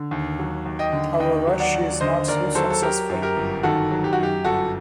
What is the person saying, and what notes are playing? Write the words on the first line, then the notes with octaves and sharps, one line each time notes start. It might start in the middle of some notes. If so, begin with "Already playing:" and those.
However she is not so successful.
Already playing: D3
D#2
F#3
D#2
D#5 G5
D3
D#2 D#5 G5
F#3
D5 F#5
D#2
D3 C5 D#5
D#2 A#4 D5
F#3 A4 C5
A4
F#3 G4 A#4
F#2
G4 A#4
G1
D#3 F#4 A4
F#3
G4
F#4
F#2 G4
G1 F#4 A4